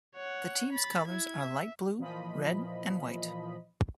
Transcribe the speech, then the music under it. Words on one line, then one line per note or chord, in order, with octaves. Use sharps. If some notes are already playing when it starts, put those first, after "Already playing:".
The team's colors are light blue, red and white.
C#5 F#5
B5 A6
E4 G#6
E5
A#2 E3 F3 D#5 B5